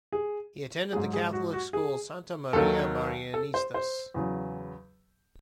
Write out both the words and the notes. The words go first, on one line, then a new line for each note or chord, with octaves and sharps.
He attended the Catholic school Santa Maria Marianistas.
G#4
G#2 F#3 G#4
G#4
F#4
F#4
G#4
D#2 D#3 F#3 A4
A4
C5
C5
E2 C#3 F#3